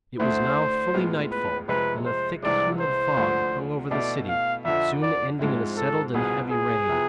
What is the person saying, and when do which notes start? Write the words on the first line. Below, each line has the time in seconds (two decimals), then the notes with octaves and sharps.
It was now fully night-fall, and a thick humid fog hung over the city, soon ending in a settled and heavy rain.
0.20 D2 D3 A3 E4 C5
0.94 A2 G#3 B3 F4
1.32 B4
1.68 F2 C3 G#3 B4
2.05 C5
2.43 C2 C3 E3 G#3 D4 D5
2.80 C5
3.17 D2 D3 F3
3.91 B2 A3 E4 D5
4.28 F5
4.65 F2 D3 F3 E5
5.02 D5
5.39 G#2 F3 G#3 C4 E4
5.77 A4
6.14 C2 B2 B3 F4 G#4
6.51 G#4
6.89 C3 F3 B3